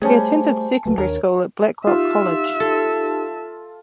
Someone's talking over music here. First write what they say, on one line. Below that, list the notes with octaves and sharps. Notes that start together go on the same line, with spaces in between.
He attended secondary school at Blackrock College.
G3 A3 C#4 G#4 C5 G#5 A5
C#2 F#3 A3 B4
D#2 D4 A#4 C#5
D#4 F4 G4 E5
A4